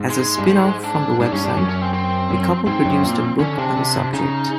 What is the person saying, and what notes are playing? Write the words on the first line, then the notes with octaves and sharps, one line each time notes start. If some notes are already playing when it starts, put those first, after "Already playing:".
As a spinoff from the website, the couple produced a book on the subject.
Already playing: G#2
G#3
G2
G#2
D4
G#2 D4
G2 C#4
G2 D4
F#2 C#4
C#4
C4
C4
F#2
G#2 C4
F#2
A#2
D3 C#4
C3 D4
C3
C#3 D#4